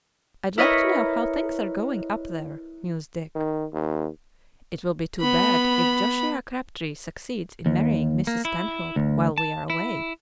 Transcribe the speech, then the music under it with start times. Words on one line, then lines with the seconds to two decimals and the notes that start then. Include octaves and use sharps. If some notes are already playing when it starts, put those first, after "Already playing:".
"I'd like to know how things are going up there," mused Dick. "It will be too bad if Josiah Crabtree succeeds in marrying Mrs. Stanhope while we are away."
0.58 E4 A#4 B4 C#5 D#5
3.35 D#3
3.73 D#2
5.20 B3 B5
7.66 D#2
8.27 A#3
8.45 E4
8.96 D2
9.38 A5
9.70 E4